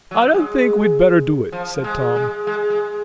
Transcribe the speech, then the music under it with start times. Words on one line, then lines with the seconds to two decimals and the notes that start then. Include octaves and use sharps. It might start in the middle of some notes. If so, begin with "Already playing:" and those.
"I don't think we'd better do it," said Tom.
0.11 F#3
0.34 G#3
1.52 F3
1.84 G#3
2.16 G#3
2.47 G#3
2.70 G#3